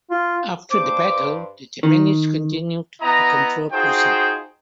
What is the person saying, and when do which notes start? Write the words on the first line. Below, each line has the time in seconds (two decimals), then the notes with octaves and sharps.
After the battle, the Japanese continued to control Busan.
0.11 F4
0.71 G2 C5 D6
1.83 D#3
3.00 B3 E4 D#5 A#5
3.71 D#4 F4 F#4 G#4 C5 G5